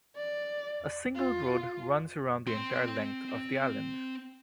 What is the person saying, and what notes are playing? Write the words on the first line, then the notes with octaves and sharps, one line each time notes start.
A single road runs around the entire length of the island.
D5
F4
C4 C6